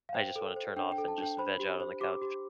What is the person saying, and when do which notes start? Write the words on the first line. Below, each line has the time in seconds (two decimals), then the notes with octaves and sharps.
I just wanna turn off and just veg out on the couch.
0.09 F5
0.14 C5 G5
0.36 A4
0.56 C5
0.76 D4 G5
0.92 G5
0.98 A4
1.08 A5
1.18 D4 G5
1.39 C5 B5
1.59 G4
1.80 C5
2.01 G4 D6
2.22 G4